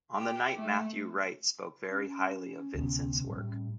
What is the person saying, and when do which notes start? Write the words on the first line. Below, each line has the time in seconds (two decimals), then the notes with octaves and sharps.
On the night Matthew Wright spoke very highly of Vincents work.
0.15 G4
0.54 A3
1.89 C#4
2.75 D2 C3 B3
3.29 A2 G3